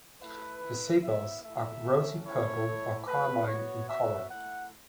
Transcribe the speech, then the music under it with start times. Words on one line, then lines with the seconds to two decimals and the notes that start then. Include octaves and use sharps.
The sepals are rosy purple or carmine in color.
0.21 A3 E4 B4
0.62 A3 E4
1.02 B3 E4 E5
1.44 A3 E4 E5
1.85 A3 C#4 F#4
2.25 A3 C#4 E4 C#5
2.66 A3 E4
3.07 A3 F#4 B4
3.48 B3 F#4 C#5
3.89 B3 F#4 E5
4.30 A3 E4 F#5